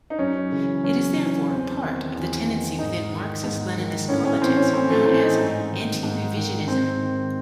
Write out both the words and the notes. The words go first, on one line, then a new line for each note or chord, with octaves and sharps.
It is therefore part of the tendency within Marxist-Leninist politics known as anti-revisionism.
D#4
F#2 C#4
C#3 E3
F#2 C#4
C#3 E3
E2 C4
D#3
E2
D#3
G#2 D#4
D#3
G#2
D#3
A2 C#4
C#4
E3 C4
C#4
A2 C4
A3
E3 C4
D#4
G#2 D#4
D#3
G#2
D#3
G#2 C4
D#3